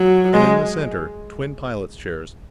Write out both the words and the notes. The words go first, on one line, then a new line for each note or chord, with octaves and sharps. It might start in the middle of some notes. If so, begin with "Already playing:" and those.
And in the center, twin pilot's chairs.
Already playing: F#3
G#3